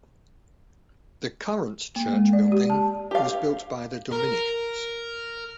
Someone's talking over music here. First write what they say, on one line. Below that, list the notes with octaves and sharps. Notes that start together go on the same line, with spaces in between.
The current church building was built by the Dominicans.
A#3
G#3
D5
G4
A5
G4 F5
A#4